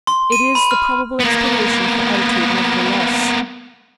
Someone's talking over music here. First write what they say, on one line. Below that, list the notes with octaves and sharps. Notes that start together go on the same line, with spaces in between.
"It is the probable explanation of her attitude, nevertheless."
C6
D#7
B5
F6
A#3 B3